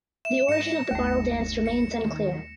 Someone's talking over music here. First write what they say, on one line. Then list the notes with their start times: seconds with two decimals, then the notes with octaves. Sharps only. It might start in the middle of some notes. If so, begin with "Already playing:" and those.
The origin of the bottle dance remains unclear.
0.25 E5 E7
0.49 G#2 A#6 C#7
0.91 G1 D#2 A3
1.66 C#7
2.03 D#3